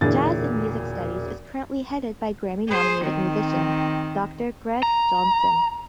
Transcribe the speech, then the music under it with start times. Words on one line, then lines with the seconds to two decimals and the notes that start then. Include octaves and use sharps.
Jazz and music studies is currently headed by Grammy nominated musician, Doctor Greg Johnson.
0.01 E1 A#2 D3 E4 G#4 A6
2.68 G#4 C5
3.01 D#3 C4
4.83 A#5